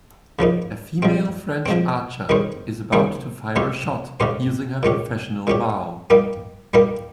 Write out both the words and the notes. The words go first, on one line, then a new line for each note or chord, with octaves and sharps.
A female French archer is about to fire a shot using her professional bow.
C#3 F3 A#3 D#4
F3 G#3 C4
F3 G#3 C4
D#3 G3 C#4 G#4 C5
D#3 G3 C#4 G#4 C5
C#3 G#3 C#4 G4 C5
C#3 G#3 C#4 G4 C5
A#2 G#3 C#4 G4
A#2 G#3 C#4 G4
G3 A#3 D#4 G4 A#4
G3 A#3 D#4 G4 A#4